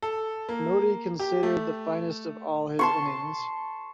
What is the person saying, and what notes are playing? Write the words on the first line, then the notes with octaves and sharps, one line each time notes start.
Modi considered the finest of all his innings.
A4
A#3
G4
A3
A5 C6 C#6